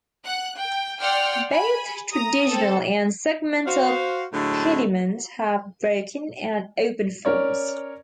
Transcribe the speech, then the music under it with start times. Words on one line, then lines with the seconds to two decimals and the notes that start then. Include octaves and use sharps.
Both traditional and segmental pediments have "broken" and "open" forms.
0.24 F#5 F#6
0.57 G5
1.00 D5 F#5 G5 C6 F6
1.49 G#5 B5
2.12 A#5 D#6
2.49 C4 A4
3.67 F#4 C5 F5
4.33 A2 D3 F#3 G#3 A3
7.25 C#4 A#4 C#5 D5